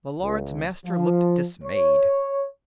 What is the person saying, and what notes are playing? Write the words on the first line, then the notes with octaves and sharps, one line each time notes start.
The Lords-Master looked dismayed.
C#2
F3
C#5